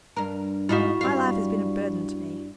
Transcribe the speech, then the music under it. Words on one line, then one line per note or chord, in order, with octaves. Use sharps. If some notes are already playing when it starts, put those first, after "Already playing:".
My life has been a burthen to me.
G2 A#4
G#2 D#4 E4 F#4 F5
G2 G3 F5